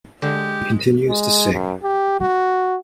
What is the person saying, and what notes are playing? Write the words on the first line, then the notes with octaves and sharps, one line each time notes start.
He continues to sing.
D3 G#3 G4
G#3
F#2
G4
F#4